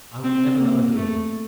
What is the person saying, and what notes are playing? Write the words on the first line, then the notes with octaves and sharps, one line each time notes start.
I will never love again.
C4
A#3
A3